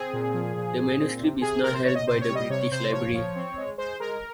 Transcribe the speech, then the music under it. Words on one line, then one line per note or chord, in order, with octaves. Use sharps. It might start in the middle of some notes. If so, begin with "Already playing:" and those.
The manuscript is now held by the British Library.
Already playing: C4 G#4
A#2
F3
A#2
A#2
C4
C3
C3 G#4
C3 A#4
C5
C3 C#5
D#5
C3 C5
C#5
G3
D#5
C3 C#5
C3 C5
F3 C#5
F3
C4
G#3
G#3 C5
G#3 A#4